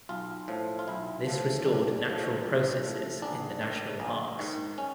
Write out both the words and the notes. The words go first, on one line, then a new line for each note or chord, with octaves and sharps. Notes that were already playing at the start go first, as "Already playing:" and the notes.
This restored natural processes in the National parks.
B1 F4
A2 F3
F4
B1 E4
A2 F3
B1 D4
A2 F3
B1
A2 F3
A#1 D4
G#2 D#3
A#1
G#2 D#3
C#4